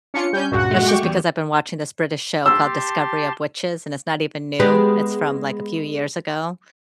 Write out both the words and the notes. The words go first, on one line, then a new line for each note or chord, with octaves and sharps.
That's just because I've been watching this British show called Discovery of Witches, and it's not even new, it's from, like, a few years ago,
C#4 D4 F4 C#7
G3 C#4 G#5 G6
C#2 G2 A#2 F#4 F#5
G#3 A3
G5 C#6 D6
E2 G3
G4 A5 C6 E6
G#3 B3 G4